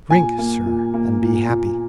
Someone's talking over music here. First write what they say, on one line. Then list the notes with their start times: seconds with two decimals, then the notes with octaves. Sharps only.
Drink, sir, and be happy!
0.10 A#2 G#5
0.38 A#3
0.66 A#2
0.94 A#3
1.22 A#2
1.49 A#2